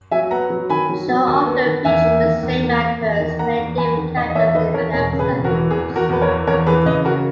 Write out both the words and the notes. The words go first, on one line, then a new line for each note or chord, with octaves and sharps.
The show often featured the same actors playing different characters in many episodes.
F#3 E5 G#5
B3 F#5 A#5
F#3
D#3 G#5 B5
F#3
F#3
D#2
B3
D#3
E2 E5 G#5
A#3
D#3
E2
A#3
A#3
E2
D#3
A#3 F#5 A#5
E2
E2 G#5 B5
D#3
E2 D#5 F#5
D#5
E2 C#5 E5
E5
D#3 B4 D#5
E2 A#4 C#5
E1 A#4 C#5
C#3
G#4 B4
E1
F#4 A#4
E3
E2 G#4
E2
F#4 A#4
E2 B4
A#4 C#5
E3
E2 A#4 C#5
E3 G#4 B4
C#3 B4 D#5
C#3 F#4 A#4